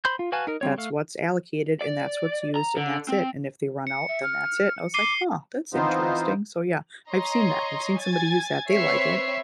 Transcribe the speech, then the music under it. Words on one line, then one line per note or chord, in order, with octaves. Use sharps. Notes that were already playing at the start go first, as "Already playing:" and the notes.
that's what's allocated, and that's what's used, and that's it. And if they run out, then that's it. I was like, "Huh, that's interesting." So, yeah, I've seen that. I've seen somebody use that. They like it.
C5 B5 C6 G6
F4
F#4 B4 F5 G#5 A5
D#4 A#4
G3 C4 C#5
A3 F5
D5
A#5
D3
C4
C#7
E5
F6
D6 C7 D#7 G7
E3 B3 C4 D#4 F4 C5
C#5 D#5 A#5 C6
G#5 G#6 A6
C4 B4 C#5 E5 C7